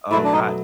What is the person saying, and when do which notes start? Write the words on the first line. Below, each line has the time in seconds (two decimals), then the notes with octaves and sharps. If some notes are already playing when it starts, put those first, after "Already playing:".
Oh, god.
0.11 B2 F#3 A3 E4
0.24 D4
0.33 D#4